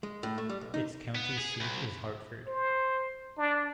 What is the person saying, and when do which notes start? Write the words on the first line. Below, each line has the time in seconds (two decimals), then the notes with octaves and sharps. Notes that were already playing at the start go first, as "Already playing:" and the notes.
Its county seat is Hartford.
0.03 G#3
0.23 A2
0.38 A3
0.49 G3
0.61 B1
0.74 D#4
1.15 B3
1.38 G#4
1.61 C2
2.47 C5
3.38 D4